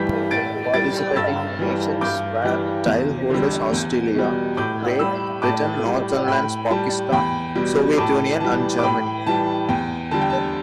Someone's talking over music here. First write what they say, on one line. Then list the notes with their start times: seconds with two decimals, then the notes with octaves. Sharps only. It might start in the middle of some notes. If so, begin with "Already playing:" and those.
Participating nations were: titleholders Australia, Great Britain, Netherlands, Pakistan, Soviet Union and Germany.
Already playing: G2 E3 G3 G6 B6
0.31 A2 A6 D7
0.74 G3 A6 D7
1.16 G2 E6 A6
1.59 E3 G3
2.01 G2 D6 G6
2.44 E3 G3
2.86 E2
3.30 D3 G3
3.72 E2
4.15 B2 G3
4.57 A2 D6 G6
4.99 G3 B5 E6
5.42 A2 A5 D6
5.85 G3
6.28 A2 G5 B5
6.71 G3 A5
7.12 E2 G5 B5
7.55 B2 G3
7.98 A2 A5 D6
8.40 E3 G3 A5
8.79 D6
8.83 A2 G5 B5
9.26 E3 G3 A5
9.69 E2 G5
10.11 D3 G3 A5
10.21 G5
10.30 A5